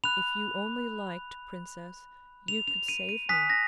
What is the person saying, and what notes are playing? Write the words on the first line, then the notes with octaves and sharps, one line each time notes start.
If you only liked, Princess, you could save me.
B5 F#6 F7
F7
F7
D#7
D#7
G#5 D#6 F#6 B6
A#6